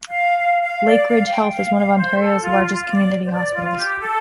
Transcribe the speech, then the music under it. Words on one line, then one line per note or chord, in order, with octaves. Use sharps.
Lakeridge Health is one of Ontario's largest community hospitals.
F5
F5
F5
D5
F5
G5
F5
F5
C5
A4
F4
F4
D5
C5
D5
F4
G4
A4